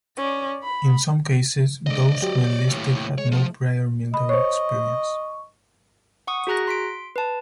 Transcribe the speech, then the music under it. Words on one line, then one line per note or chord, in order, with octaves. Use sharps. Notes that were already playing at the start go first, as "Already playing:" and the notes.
In some cases those who enlisted had no prior military experience.
C#4 D5
B5
D3 G#3 D5 D#5
F#3 F#4 G4
D#2 A2
G#3 C#5
F3 A3
D#5 B5
C5 C#5 C#6
F#5 C#6 D#6
F#4 G#4 A#5 F#6 A#6
C6 B6 D7
B4 A5